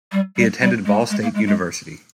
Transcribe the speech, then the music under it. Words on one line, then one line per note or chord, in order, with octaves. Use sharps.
He attended Ball State University.
G3
G3
G3
G#3
G#3
A#3
G#3
G#3